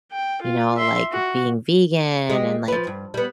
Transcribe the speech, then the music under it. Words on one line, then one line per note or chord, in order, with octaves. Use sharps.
you know, like, being vegan and, like,
G5
F4
E5 C6
F#4
G#3 G4
F3 B4
G2
G3 B3